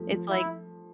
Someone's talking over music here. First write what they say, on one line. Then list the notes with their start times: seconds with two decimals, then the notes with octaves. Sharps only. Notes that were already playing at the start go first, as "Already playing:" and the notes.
it's like
Already playing: F3 G3 A3
0.11 F3
0.29 E4